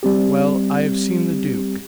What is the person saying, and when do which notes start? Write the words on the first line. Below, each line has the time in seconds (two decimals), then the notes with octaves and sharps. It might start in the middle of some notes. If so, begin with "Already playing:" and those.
"Well, I have seen the duke."
0.03 G3 C4 G4